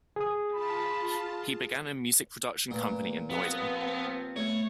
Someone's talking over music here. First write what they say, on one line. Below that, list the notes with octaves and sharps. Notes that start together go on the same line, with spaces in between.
He began a music production company in Noida.
G#4 D#6
F4 A5 B5
A#2 A3 B4
F3 B3 C4 F4 G4 B4
A3 B3 C#5 G#6